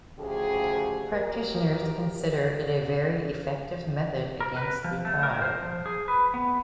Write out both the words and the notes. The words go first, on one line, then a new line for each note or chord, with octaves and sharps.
Practitioners consider it a very effective method against the thigh.
D2 C#3 F3 G4 G#4
F#3 G4 A#4
A#4
B4
F3
A3
A#4
C5
F3
G#4
B4
B3